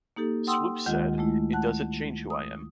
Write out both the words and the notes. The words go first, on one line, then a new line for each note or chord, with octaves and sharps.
Swoopes said, it doesn't change who I am.
A#3 D#4 G4 A4
F#5 G5 C6 D#6 E6
D2 D#3 G#3 F4 D#5 F#5
G#3 A3 E4
F#5 A5 F#6
D#6